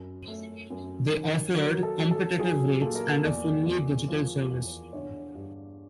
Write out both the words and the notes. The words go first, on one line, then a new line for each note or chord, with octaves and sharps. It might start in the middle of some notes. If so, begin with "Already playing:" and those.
They offered competitive rates and a fully digital service.
Already playing: F#2
A3
F#2
D#3
F#3 A#4
A4
F#3
A4
F#3 G#4
A#2 A4
A#4
A4
E2 D5
E2
F3
E2
D3 C#5
G2